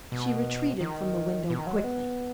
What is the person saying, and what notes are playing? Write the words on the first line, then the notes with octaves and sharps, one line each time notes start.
She retreated from the window quickly.
B2
D#3
B2
D#3
F#3
G#3
B3